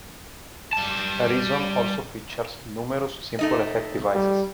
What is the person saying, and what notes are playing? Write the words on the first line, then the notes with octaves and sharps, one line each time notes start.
Reason also features numerous simple effect devices.
G3 A5
A3 D#4 D#5
G3